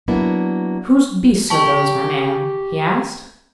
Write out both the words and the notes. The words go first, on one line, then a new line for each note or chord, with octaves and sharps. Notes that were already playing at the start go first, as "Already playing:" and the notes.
'Whose beasts are those, my man?' he asked.
F#3 A#3 B3 D4 E4
G4 A5 C#6